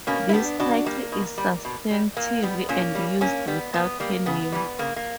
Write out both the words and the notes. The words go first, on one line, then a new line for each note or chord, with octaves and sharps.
This title is substantive and used without her name.
B2 A#3 C#4
E4
G3 B3 D4
B2 D4 F#4
G3 A#3
B2
G3
B2
G3
A#2 A#3
G3 B3
A#2 A#3 C#4
G3
A#2 A#3 C#4
G3 B3
A#2 B3
G3 A#3
C#3 B3
E3 G3
C#3 A#3
A#3